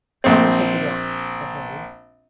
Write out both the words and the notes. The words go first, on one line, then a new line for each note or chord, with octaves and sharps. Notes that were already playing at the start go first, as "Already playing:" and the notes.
"Come and take a walk," said Harry.
A#1 C4